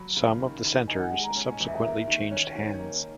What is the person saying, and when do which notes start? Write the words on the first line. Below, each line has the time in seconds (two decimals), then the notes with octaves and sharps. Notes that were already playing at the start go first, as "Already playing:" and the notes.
Some of the centres subsequently changed hands.
Already playing: F#3 B5
0.17 C#3
0.40 D#3
0.64 D#3
0.88 D#4 G#5
1.00 F#5
1.12 G#3 G#5
1.24 A#5
1.35 C#4 G#5
1.60 E2
1.68 E5
1.84 A#3
2.08 D#3
2.31 C#4 C#5
2.55 D#3
2.79 A#3